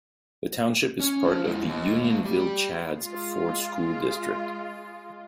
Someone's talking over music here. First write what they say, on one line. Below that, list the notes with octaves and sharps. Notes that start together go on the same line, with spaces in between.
The township is part of the Unionville-Chadds Ford School District.
C#4
F3 F4
G#3 E4
D#2
A3 F5
G3 G4
G#3 F4